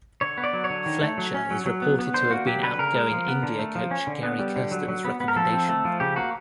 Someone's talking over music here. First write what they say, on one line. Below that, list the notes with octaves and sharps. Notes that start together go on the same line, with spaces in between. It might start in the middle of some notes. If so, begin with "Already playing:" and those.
Fletcher is reported to have been outgoing India coach Gary Kirsten's recommendation.
D3 C#5
B3
D5
F#3
C#5
D3
D#3
A3
F#3
C#4
F#3
F#3
B3
B3
D3 C5
A#3 F#4
F#3 G4
D3 B4
C#3 A#4
G#3
F3
B3
D3
A3
F3
C#4
D3
B3
G3
D3
F#3
F#3
B3
B3
A#4
F3 A4
C4
A3
F3
C#3 G4
A#3 F#4